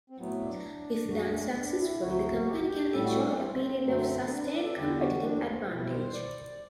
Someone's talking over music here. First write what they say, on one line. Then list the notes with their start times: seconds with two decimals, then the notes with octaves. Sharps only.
If done successfully, the company can enjoy a period of sustained competitive advantage.
0.10 C4
0.18 A2 F#3 A3 B3
0.41 D4
1.09 F#2 F#3 A3 F#4
1.25 D4
1.41 C4
1.55 D4
1.79 E4
2.01 D2 C3 F#3 A3 F#4
2.47 G4
2.57 F#4
2.67 G4
2.93 A2 G3 A4
3.04 F#4
3.16 D4
3.27 C4
3.85 F#2 D3 F#3 A3
4.30 D4
4.42 B4
4.53 D5
4.65 A4
4.76 E2 D3 G3 G4
4.99 F#4
5.22 D4
5.37 C4
5.52 C4
5.68 B2 G3 E4
5.90 C5
6.14 D5